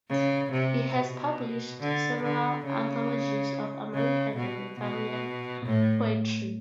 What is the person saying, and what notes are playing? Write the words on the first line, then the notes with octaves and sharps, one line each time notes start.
He has published several anthologies of American and Italian Poetry.
C#3
C3
B2
D3
D3
C#3
C#3
B2
B2
A2